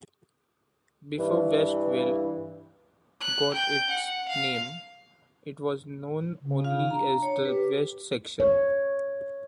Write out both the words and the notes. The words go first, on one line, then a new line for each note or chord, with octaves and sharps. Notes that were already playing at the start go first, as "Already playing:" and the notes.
Before Westville got its name, it was known only as the West Section.
G2 E3
F#6
G5
F#5
F5
C#3
F4 F5
D4 A#5
C#5
G4 B4
C#5